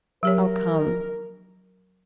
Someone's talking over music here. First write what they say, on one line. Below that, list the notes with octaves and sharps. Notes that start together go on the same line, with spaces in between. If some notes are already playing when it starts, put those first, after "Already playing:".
"I'll come."
F#3 G4 A#4 C#5